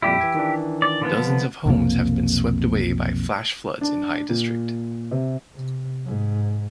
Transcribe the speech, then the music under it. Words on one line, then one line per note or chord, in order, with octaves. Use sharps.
Dozens of homes have been swept away by flash floods in Hai District.
F2 A#2 G3 E4 G4
E3 G#6
D#3 E3 D4
D5
D3 F3 B3
B1 F2 C3 A#3
D4
A#2
C3
C3
G#2